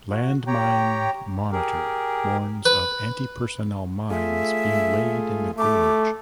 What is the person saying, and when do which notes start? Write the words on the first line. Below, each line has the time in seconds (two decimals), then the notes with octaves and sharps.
Landmine Monitor warns of antipersonnel mines being laid in the Gorge.
0.11 F#4
0.47 G4 C#5 G5 A#5
1.52 G4 G#4 A#4
2.65 B4
4.10 A3 F4 G#4 E5
5.58 A3 D6